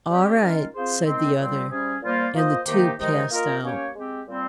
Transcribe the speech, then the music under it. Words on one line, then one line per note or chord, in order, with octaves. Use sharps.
"All right," said the other, and the two passed out.
G3 C4 G4
D#3 G#3 C#4 F4 A#4
C4 F4 G#4 C5
D#3 G#3 C4
A#2 G3 C4
C3 G3 C#4 G#4
A#2 G3 A#3 F4 C5
A#3 F4 C5 D#5
C3 D#3 A#3 D#4 G4
C3 D#3 G#3 D#4
A#3 F4 A#4 D#5
A#3 C#4 G4 C#5
G#3 C4 G4
A#2 G3 C4